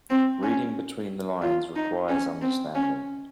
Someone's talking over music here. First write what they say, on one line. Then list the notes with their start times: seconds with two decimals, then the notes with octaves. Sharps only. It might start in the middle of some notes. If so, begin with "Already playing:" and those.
Reading between the lines requires understanding.
0.10 C4
0.43 C#4
1.42 F4
1.76 D#4
2.09 C#4
2.42 C4
2.75 C#4